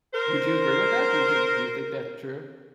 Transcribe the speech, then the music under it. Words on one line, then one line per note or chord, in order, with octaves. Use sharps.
Would you agree with that? Do you think do you think that's true?
A#4 C5